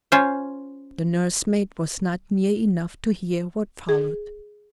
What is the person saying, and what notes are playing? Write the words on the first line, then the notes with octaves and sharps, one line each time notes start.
The nursemaid was not near enough to hear what followed.
C#4 F4 C5
G#4